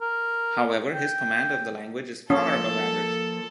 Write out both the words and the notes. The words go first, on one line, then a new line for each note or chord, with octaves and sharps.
However, his command of the language is far above average.
A#4
G5
F3 A#3 C#4 A4